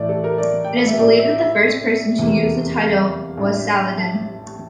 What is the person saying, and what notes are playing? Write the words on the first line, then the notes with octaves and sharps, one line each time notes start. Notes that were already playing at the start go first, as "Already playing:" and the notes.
It is believed that the first person to use the title was Saladin.
Already playing: A2 E3 A3 D5
A4
A#4
D5
G5
F5
E5
A1 A2 F3 D5
E5
E5
F1 E2 E3 A#3
F5
A1 A2 G3 D4
A5